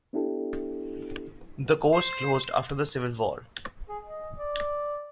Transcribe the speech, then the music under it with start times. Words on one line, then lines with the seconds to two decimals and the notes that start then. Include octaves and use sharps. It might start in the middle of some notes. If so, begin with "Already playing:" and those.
The course closed after the Civil War.
0.13 B3 D4 E4 G4 A4
1.93 C5
3.88 G#4
4.03 D#5
4.36 D5